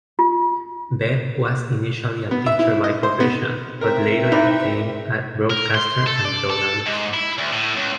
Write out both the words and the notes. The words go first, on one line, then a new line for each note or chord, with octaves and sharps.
Bebb was initially a teacher by profession, but later became a broadcaster and journalist.
F4
B3
E5
E4
D#5
C5
B3
C4 A#4 E5
D#4 E4 B4 D5
A#4
C6
A4
D5
A4
G#2
E4
D2
A2
C#2